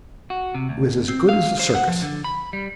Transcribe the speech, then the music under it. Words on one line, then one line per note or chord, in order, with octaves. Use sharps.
It was as good as a circus!
F#4
C3
D2
C4
F5
C5
F#5
F3
D3
B5
G3